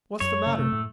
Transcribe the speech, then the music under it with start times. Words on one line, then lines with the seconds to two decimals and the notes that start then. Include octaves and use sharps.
"What's the matter?"
0.20 F#2 C#5
0.46 C#3
0.52 A3
0.59 C3
0.72 A2